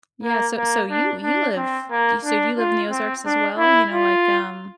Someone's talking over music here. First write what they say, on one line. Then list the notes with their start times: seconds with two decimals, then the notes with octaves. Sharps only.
yeah, so so you you live do you so do you live in the Ozarks as well? You know, like, um,
0.23 A#3
0.56 A#3
0.91 D4
1.24 D4
1.57 C4
1.91 A#3
2.25 D4
2.58 F4
2.91 C4
3.26 D4
3.58 E4
3.92 F4